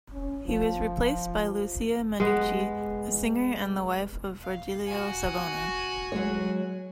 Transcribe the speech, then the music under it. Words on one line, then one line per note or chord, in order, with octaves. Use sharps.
He was replaced by Lucia Mannucci, a singer and the wife of Virgilio Savona.
C#4
F3
G#3 B3
F5
F#4 G#5
F#3 G#3 C#5